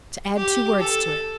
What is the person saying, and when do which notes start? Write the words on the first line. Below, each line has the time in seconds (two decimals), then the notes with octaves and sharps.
"To add two words to it."
0.36 G4
0.80 A4